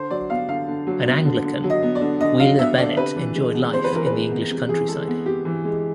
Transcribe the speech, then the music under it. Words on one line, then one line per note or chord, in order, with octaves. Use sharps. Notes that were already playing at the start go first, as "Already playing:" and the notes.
An Anglican, Wheeler-Bennett enjoyed life in the English countryside.
Already playing: D3 C5
F#3 D5
B3 F5
D3 F5
D3
F#3
B3
D3
D3
F#3
D#5
B3
D5
D3
D3 D#5
F#3 F5
B3 E5
D3 D5
C3 B4
E3
G#3
B3
C3 C5
B4
E3 A#4
G#3 B4
B3
C3
E3 G#4
G#3 A4
B3
C3 G4
E3
G#3